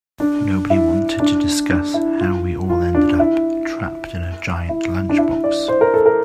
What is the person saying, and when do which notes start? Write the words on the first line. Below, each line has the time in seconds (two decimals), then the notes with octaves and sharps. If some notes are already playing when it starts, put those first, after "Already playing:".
Nobody wanted to discuss how we all ended up trapped in a giant lunchbox.
0.20 D4
0.70 E4
1.20 D4
1.70 D4
1.94 E4
2.19 F4
2.69 F4
2.95 D4
3.19 E4
4.69 E4
5.09 D4
5.18 E4
5.44 D5
5.68 C5
5.81 A#4
5.94 A4
6.06 A#4